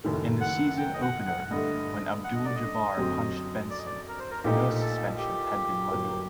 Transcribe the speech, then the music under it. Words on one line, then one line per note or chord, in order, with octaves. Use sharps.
In the season opener, when Abdul-Jabbar punched Benson, no suspension had been levied.
F#1 F#2 D#3 A3
F#5
G5
D#5
F#5
F#5
G2 D3 A3 D#5
F#5
D#5
D5
D#5
F#2 D3 F#3 C4 F#4
D5
D#5
D5
A#4
C5
A#4
A#1 A#2 A3 D#4 G4
A4
G4
G1 F#2 F#3 A#3